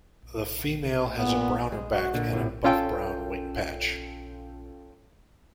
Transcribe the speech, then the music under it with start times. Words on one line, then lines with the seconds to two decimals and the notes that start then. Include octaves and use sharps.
The female has a browner back and a buff-brown wing patch.
1.17 A#2 B3
1.72 G#3
1.93 F#4
2.14 A#2 D3
2.33 A2 C3
2.64 C#4 F4 A4 G5